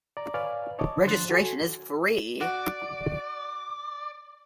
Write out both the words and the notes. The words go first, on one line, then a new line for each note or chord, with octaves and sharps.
Registration is free.
D5 A#5
B4 C#5 D5 F5 G#5 F6
C#5 D#5 A5 D6
D3 F3 C5 C6 F#6 A6
F#4 A4 C#5 G#5
F#4 D5